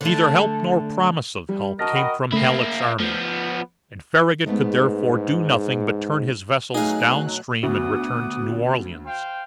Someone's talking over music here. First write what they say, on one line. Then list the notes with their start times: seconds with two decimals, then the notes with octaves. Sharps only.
Neither help nor promise of help came from Halleck's army, and Farragut could therefore do nothing but turn his vessels down stream and return to New Orleans.
0.01 D3 A3
1.49 G3
1.79 F#4 A#4 D#5 A5 F6 A#6
1.93 F#5 G5 B5
2.32 C#3 A3 A#3 E4
3.00 F3 A3 B3
4.46 G#2 G#3 A3 B3
6.74 B2 F#3 A3 D#4 G#4 F5 F#6
7.63 D2 B3 F#4 F#5 D6 D#6
9.04 C5 F5 G5